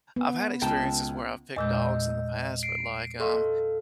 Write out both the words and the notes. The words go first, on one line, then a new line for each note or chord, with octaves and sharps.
I've had experiences where I've picked dogs in the past, but, like, um,
B3
C#2 G5 A5
E2 A#2 G#3 D#5 E6 G6
C7 D7
A4 D#5 F5 C6 C#6